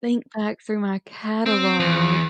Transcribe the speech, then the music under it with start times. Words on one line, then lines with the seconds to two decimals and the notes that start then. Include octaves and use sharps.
think back through my catalog.
1.46 C4
1.80 E2